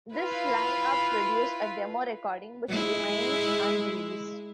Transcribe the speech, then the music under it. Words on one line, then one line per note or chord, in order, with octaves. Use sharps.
This line-up produced a demo recording which remains unreleased.
E4 F4 B4 F5 B5
G#3 E4